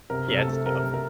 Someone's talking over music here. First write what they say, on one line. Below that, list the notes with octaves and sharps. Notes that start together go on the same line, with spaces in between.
Yeah, it's tough.
C3 A#4
C3
A4
A3
C3 A#4
C3
A#4